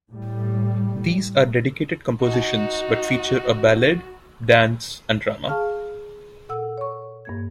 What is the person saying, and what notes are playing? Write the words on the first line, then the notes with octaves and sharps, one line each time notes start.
These are dedicated compositions but feature a ballad, dance and drama.
A2 G3
D#4 F#4
G#4 F5 A5 C#6 F6
A#2 A4 F#5 E6
C#5 C#6
G2 A#3 G#6